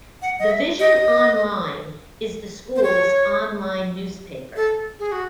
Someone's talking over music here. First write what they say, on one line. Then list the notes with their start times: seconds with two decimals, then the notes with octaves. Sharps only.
"The Vision Online" is the school's online newspaper.
0.22 F#5
0.39 D#5
0.51 E5
0.80 D#5
2.76 C5
2.83 C#5
4.56 A4
4.99 G#4
5.12 F#4